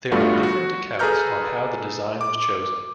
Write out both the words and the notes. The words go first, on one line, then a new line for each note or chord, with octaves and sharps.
There are different accounts on how the design was chosen.
G2 G3 A3 B3 F4 F#4
F#4
G#4 A4 B4 A#5 F6 G6
D6